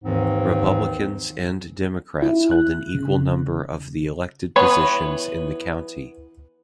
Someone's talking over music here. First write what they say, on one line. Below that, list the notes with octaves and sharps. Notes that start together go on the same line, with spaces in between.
Republicans and Democrats hold an equal number of the elected positions in the county.
D#2 G#2 D#3 E3 C4
E4
F#6
C#3
E3 B3 C#5